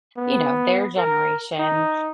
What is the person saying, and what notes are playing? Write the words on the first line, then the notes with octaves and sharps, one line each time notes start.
you know, their generation,
B3
A#4
D#4